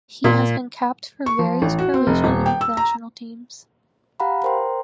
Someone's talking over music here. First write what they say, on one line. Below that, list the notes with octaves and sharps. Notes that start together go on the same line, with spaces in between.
He has been capped for various Croatian youth national teams.
A#2
C#6
F3
A1
F#4
C4
F1
D#1
G5
E6
A#5
G4 F5 F#5 A#5 B5
A#4 C5 G5 A#5 C6